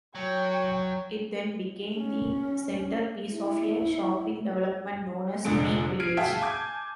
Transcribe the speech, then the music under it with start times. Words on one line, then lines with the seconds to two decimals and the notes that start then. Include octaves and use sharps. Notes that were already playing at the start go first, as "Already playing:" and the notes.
It then became the centrepiece of a shopping development known as Peak Village.
0.15 F#3 C#5 G5
1.98 C#4
3.34 E4
5.45 F1 A#1 D3 G#3 D7
6.00 F6 G#6 C7 D7 D#7
6.17 F#4 G#4 E5 F5 G5 A5
6.41 G#5 A5 D6 G6 G#6